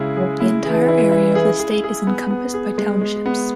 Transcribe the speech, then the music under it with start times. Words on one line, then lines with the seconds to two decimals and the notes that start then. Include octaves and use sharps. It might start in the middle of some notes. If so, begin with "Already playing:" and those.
The entire area of the state is encompassed by townships.
Already playing: C#3 G#3 E4 G#4
0.16 F#3 G#4
0.40 F#3 E4
0.65 E3 G#4
0.88 E4
1.12 E4
1.35 G#4
1.59 G#4
1.84 G#4
2.07 B3
2.30 B3
2.54 G#4
2.78 G#3
3.01 G#3
3.26 B3